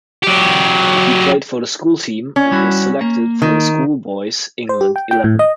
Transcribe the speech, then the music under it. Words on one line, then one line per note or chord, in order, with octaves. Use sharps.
He played for the school team and was selected for the schoolboys' England eleven.
F#3 G4
C#4
G3 E4 F#4
A#3
D#3
C5
G4
G5
G5
A2
D#5